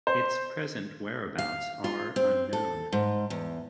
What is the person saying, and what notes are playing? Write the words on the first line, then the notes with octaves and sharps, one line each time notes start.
Its present whereabouts are unknown.
C5
F5
F4
C4
A4
G#2
E2